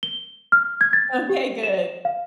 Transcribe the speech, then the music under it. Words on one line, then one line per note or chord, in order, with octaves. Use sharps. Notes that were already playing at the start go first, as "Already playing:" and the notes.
Okay, good.
G7
F6
G#6
A6
G4
E7
F5